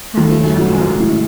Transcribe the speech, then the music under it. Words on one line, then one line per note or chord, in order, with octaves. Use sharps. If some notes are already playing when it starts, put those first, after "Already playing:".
Happy, happy earth!
D#2 D#3 A3
F#2 F#3
F#3
G#2 G#3
A2